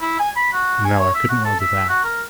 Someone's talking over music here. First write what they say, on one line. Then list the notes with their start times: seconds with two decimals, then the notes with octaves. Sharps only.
No, I couldn't well do that.
0.01 E4
0.19 G#5
0.36 B5
0.53 F#4
0.85 G#5
1.00 C#5
1.15 E5
1.29 F#4
1.45 A4
1.60 E5
1.89 F#4
2.04 A#4